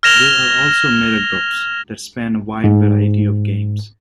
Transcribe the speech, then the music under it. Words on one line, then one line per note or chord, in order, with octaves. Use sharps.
There are also meta-groups that span a wide variety of games.
F6 G#6 A#6 E7 F7 G7
G#2